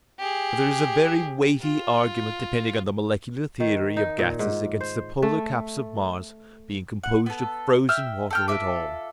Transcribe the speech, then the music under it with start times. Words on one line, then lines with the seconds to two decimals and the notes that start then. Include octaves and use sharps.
But there is a very weighty argument depending on the molecular theory of gases against the polar caps of Mars being composed of frozen water at all.
0.19 G4 G#4
1.61 F4
3.60 D#3
3.97 D#4
4.19 A#2
4.39 G#2
4.81 C5
5.22 A3
7.03 F#5
7.26 B3 A4
7.89 E5 G5 E6 F6
8.30 A4 G5 F6
8.48 F4 A4 E5 D6